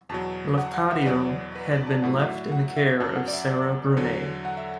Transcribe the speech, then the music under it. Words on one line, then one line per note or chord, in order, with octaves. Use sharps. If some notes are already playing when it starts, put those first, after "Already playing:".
Lafcadio had been left in the care of Sarah Brenane.
E2 B2 F#3 A5
F#5
F#5
E5
B4
E2 B2 F#3 D5
B4
D5
A5
A2 F#3 F#5
E5
F#5
E5
F#2 F#3 A5
F#5
D5
E5
E2 D3 F#3
F#5
E5